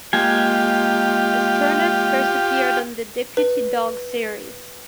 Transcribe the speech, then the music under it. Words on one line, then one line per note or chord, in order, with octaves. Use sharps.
Astronut first appeared on the "Deputy Dawg" series.
G#3 A#3 F4 G4 G#5
B4